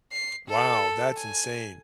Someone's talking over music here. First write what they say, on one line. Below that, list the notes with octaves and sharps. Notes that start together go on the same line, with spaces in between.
Wow, that's insane.
C7
A4
G#5